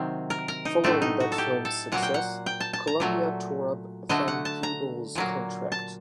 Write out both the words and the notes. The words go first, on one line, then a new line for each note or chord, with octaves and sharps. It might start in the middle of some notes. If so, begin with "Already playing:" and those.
Following that film's success, Columbia tore up Van Peebles' contract.
Already playing: C3 D#3 F#3 C4
A#4
A#4
D#4
A2 F#3 A3 C4 D4
D#4
F#4
A4
G4
A4
A#2 F#3 A#3 F#5
G5
F#5
G5
A5
A5
A#5
A#2 F#3 A3
D3 F#3 A3 D#5
F#5
A5
A#5
A#2 F#3 A#3
A5